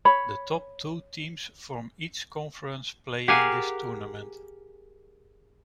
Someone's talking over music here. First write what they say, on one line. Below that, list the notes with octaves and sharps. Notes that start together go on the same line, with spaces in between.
The top two teams from each Conference play in this tournament.
C#5 B5
G4 G#4 A#4 F5 F#5 G#5